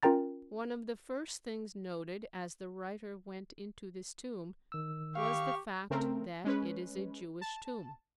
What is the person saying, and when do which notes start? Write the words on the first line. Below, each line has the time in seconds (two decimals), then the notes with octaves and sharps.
One of the first things noted as the writer went into this tomb was the fact that it is a Jewish tomb.
0.03 C#4 F4 A#4 G5 A#5 A6
4.72 D#3 E6
5.15 G4 F5 C#6
5.90 C#3 A3 C4 A#4
6.44 G#3 C#4 B4
7.41 A5